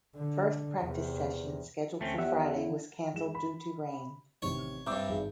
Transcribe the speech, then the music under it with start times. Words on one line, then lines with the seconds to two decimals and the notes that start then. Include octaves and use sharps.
First practice session scheduled for Friday was cancelled due to rain.
0.16 D3
0.80 E2 C3
2.01 D2 A3 C4 C#4
2.18 E2 G4 E5 F#5
2.57 E4
3.14 E3 G#3 E7
3.35 B5
4.42 A1 C3 D#3 C#5
4.87 G2 C3 D6 E6 G6
5.09 G#1 G#2 G#3